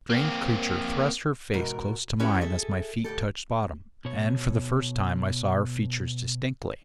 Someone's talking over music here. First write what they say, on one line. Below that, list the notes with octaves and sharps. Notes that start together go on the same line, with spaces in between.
The strange creature thrust her face close to mine as my feet touched bottom, and for the first time I saw her features distinctly.
A#3 C4
E2 G#2 B2 A#4
C#4 E4 F#4 G4 B4 C#5
G#4 A4 E5
D2 A2 G4 A4
B2 C#5